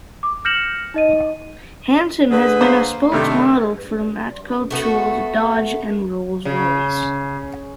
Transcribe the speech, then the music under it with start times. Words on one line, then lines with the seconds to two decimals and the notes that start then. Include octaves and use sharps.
Hansen has been a spokes-model for Matco Tools, Dodge, and Rolls-Royce.
0.23 D6
0.45 F6 G6 A#6 C#7 E7 F#7
0.94 D#4 D#5 D#7
2.31 D3 G#4 B4
2.61 A#3 C5
3.12 G2 C3 D#3 A3
4.71 A3 B3 F#4
6.45 C#3